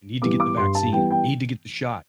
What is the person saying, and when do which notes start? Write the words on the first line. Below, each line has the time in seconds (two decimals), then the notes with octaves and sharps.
I need to get the vaccine, I need to get the shot,
0.22 E3 G3 B3 D6
0.40 D6
0.57 G2 C6
0.75 A5
0.93 E3 G3 B3 G5
1.11 G5